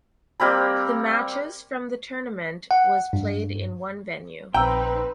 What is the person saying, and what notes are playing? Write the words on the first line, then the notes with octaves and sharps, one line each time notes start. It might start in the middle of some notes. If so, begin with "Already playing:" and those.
The matches from the tournament was played in one venue.
G3 A#3 C4 B5
F#5
G2
A#1 C4 D#4 B4 G5 A#5 E6